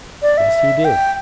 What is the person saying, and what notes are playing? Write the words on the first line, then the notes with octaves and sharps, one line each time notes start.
Yes, he did.
D5
E5
G5